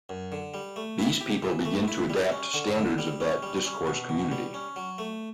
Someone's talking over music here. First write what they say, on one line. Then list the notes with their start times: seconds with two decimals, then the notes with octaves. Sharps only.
These people begin to adapt to standards of that discourse community.
0.09 F#2
0.32 D3
0.54 G3
0.76 A3
0.99 E4
1.20 G4
1.43 E3
1.65 A3
1.88 E4
2.10 G3
2.32 C#4
2.54 D3
2.76 D3
2.98 G3
3.20 C#4
3.43 G3
3.65 C#4
3.87 B2
4.09 B2
4.32 G3
4.54 C#4
4.76 F#3
4.98 A3